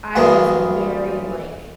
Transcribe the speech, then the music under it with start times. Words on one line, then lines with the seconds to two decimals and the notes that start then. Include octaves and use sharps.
I was very, like,
0.16 D2 G2 E3 G#3 A#3 B3